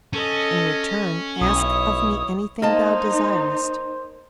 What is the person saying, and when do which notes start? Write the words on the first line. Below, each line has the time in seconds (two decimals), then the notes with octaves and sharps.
In return, ask of me anything thou desirest.
0.13 C#4 A4 D#5
1.41 B1 E4 C#5 D#6
2.62 A#3 D#4 C5 D#5 A5